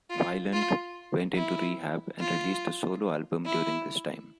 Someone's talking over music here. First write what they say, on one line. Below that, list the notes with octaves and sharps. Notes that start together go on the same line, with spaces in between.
Weiland went into rehab and released a solo album during this time.
F4
F4
E4
F4
E4